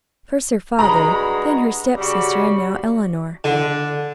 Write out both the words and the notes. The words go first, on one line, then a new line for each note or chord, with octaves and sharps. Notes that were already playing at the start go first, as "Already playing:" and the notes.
First her father, then her step-sister and now Eleanor.
G2 G#3 F#4 A#5 B5
C#3 G3 F#4
D3